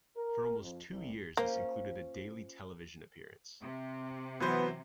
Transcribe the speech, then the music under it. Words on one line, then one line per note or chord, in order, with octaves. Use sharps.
For almost two years this included a daily television appearance.
A#4
F2
C2
A#3 C#4 F4 C5
C3
E3 F#3 B3 C5